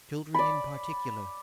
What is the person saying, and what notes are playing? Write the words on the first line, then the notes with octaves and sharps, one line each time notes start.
"Children in particular."
D5 B5